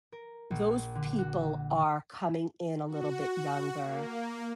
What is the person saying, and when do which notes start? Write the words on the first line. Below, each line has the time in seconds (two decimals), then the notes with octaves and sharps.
those people are coming in a little bit younger,
0.12 A#4
0.51 A#1
0.95 D3
1.18 F#4
2.87 F#4
3.82 A#3